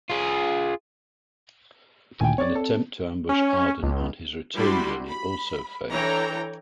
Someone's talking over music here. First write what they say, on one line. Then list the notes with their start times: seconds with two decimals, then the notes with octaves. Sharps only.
An attempt to ambush Arden on his return journey also failed.
0.10 F4 G#4
2.21 D2 A#2 D#3 G5 G#5
2.38 C4 C#5 D5
2.55 A4
3.29 C#4
3.83 C#2
4.54 G3 D4 E4 F#4 B5 C6
5.07 B5
5.91 E3 D4 A4 C#5 G5 A#5